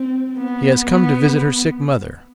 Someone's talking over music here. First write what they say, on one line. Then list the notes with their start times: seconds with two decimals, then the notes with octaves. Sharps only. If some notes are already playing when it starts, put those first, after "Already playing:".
She has come to visit her sick mother.
Already playing: C4
0.37 B3
0.92 B3